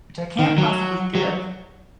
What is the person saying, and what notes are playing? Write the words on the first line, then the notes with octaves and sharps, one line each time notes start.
Which I can't possibly do.
D#3
F#3
F#3